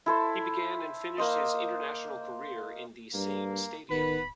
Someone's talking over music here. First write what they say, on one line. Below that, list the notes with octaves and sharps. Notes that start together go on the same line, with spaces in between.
He began and finished his international career in the same stadium.
E4 A4 C5
A#3 C5 D#5
G2 A#3
D1 D#3 B3 B4 B5